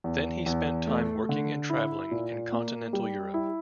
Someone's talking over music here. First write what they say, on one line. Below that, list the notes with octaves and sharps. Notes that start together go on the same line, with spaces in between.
Then he spent time working and travelling in Continental Europe.
E2
E2
A3
D3
E4
A#2
A#3
G3
E4